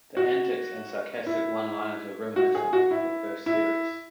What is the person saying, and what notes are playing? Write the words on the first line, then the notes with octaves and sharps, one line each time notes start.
The antics and sarcastic one-liners were reminiscent of the first series.
F#4
E4
F#4
G#4
F#4
E4
E4